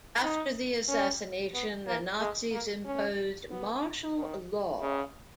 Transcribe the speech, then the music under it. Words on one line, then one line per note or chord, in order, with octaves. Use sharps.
After the assassination, the Nazis imposed martial law.
D#4
C#4
B3
A#3
G#3
A#3
C#4
B3
D#3
C#3